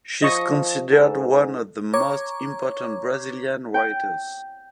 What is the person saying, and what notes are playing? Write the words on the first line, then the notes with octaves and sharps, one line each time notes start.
She is considered one of the most important Brazilian writers.
F3 D#5 C#6
G#2 A4
C#5 A#5 C#6 D6 G#6
G5